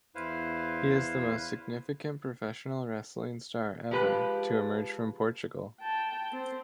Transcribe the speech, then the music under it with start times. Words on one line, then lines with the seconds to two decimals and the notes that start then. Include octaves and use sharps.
He is the most significant professional wrestling star ever to emerge from Portugal.
0.15 E2 E4 B4 C5 F5
3.91 F3 G#3 G4 B4
5.81 G5 A5
6.32 C4